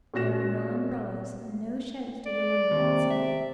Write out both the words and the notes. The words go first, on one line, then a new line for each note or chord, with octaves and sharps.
There are no umbrellas, and no sheds to go under, at sea.
A#2 C#4 F#4 A#6 E7
D5
D#2 C3
E5